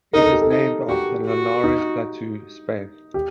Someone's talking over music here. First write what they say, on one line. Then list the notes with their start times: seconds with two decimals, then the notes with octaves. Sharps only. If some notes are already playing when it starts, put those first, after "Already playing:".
It is named after the Linares Plateau, Spain.
0.13 D#4 A#4
0.23 A4
0.32 G4
0.42 A4
0.51 D#4
0.88 F#4 G4
1.26 F#4
1.64 D#4
3.14 G4